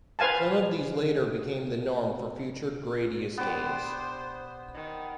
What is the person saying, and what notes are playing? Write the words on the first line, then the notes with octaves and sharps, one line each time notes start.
Some of these later became the norm for future "Gradius" games.
B4 C5 F5 G#5 A5
B3 D4 G4 C5
D#3